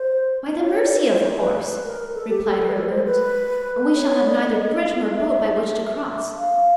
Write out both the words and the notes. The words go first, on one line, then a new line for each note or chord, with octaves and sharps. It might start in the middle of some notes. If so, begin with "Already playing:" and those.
"By the Mercy! of course," replied Herbert, "and we shall have neither bridge nor boat by which to cross."
Already playing: C5
C#5
D5
C#5
C5
B4
A#4
A4
G4
A4
B4
A#4
C5
B4
C#5
D5
D#5
E5
F5